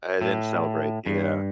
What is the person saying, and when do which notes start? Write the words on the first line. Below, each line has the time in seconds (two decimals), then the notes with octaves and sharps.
I didn't celebrate, yeah.
0.21 A2
1.06 G2